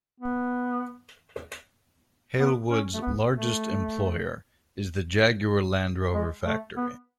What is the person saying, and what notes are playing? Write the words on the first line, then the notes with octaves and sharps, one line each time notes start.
Halewood's largest employer is the Jaguar Land Rover factory.
B3
B3
C#4
A3
B3
A3
G#3
A3
B3